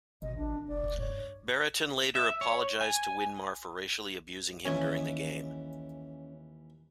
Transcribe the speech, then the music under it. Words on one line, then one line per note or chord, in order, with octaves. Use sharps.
Brereton later apologised to Winmar for racially abusing him during the game.
G#1 B2 D#5
A1 D4
F1 D5
D2
G2 C#5
E5
C#5
G#5
D#2 E3 C#4